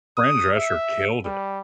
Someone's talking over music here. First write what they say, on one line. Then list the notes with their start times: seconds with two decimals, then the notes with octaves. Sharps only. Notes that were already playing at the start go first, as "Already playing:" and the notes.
Fran Drescher killed it.
0.17 D#6
0.56 E5
1.25 G3